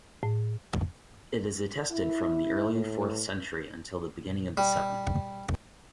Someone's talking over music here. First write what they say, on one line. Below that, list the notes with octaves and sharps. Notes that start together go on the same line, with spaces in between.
It is attested from the early fourth century until the beginning of the seventh.
A2
E4
A2
G3